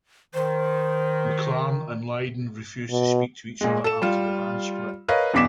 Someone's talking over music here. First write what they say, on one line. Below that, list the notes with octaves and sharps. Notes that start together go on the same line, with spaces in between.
McLaren and Lydon refused to speak to each other after the band split.
D#3 C5
B2
A#2 G#3
A4 E7
G3 F4
A#4 B4 C#5 D#5 F5
E2 G2 B2 D6 B6 E7